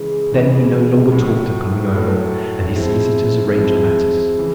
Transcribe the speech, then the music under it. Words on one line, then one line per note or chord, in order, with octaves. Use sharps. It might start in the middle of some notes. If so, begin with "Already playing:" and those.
Then he no longer talked of coming over, and his solicitors arranged matters.
Already playing: C#3 E3 G#3
C#3 E3 G#3
A2 F#3 A3
A2 F#3 A3
F3 G#3 C4 E4
F3 G#3 C4 E4
C#3 E3